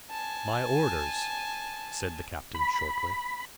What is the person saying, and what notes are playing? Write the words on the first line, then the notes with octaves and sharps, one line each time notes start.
"My orders!" said the captain shortly.
G#5 A5
B5